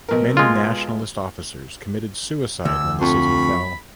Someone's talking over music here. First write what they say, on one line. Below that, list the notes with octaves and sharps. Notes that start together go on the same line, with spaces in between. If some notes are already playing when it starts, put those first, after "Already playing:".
Many Nationalist officers committed suicide when the city fell.
B1 A#4
G#3 F4
D2 E6
F2 B5 C#6